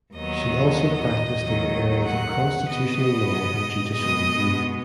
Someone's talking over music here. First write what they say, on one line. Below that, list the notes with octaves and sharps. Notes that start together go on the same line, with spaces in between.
She also practiced in the areas of constitutional law and judicial review.
D#2 D#3 F#3 B3 D#5
D#2 D#3 F#3
F#5
B2 B3 D#5
B2 G#3 B3 D#5